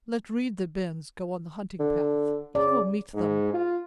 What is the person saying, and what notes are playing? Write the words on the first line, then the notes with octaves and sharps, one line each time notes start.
"Let 'Reed-that-bends' go on the hunting path; he will meet them."
D3
C#3 D5
G#2
F4